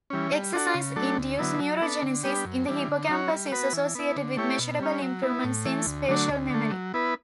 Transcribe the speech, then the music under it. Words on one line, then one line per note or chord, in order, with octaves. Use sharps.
Exercise-induced neurogenesis in the hippocampus is associated with measurable improvements in spatial memory.
E3 G3 C#4
G3
D4 F#4 A4
C#3
F#3 A3 D4 A4
D2
D3 F#3 B3 E4
F#3
B3 D4 A4
D3
G3 B3 D4 G4
F#2
E3 G3 D4
D3
F#3 C#4 F#4 C#5
G3
B3 F#4 B4
E3
B3 E4
D3
A3 E4 G4 C#5
B2
G3 C#4
F#3
B3 E4
A2
E3 A3
D2
D3 F#3 A3 D4
D2
D3 A3
F#3
B3 E4 B4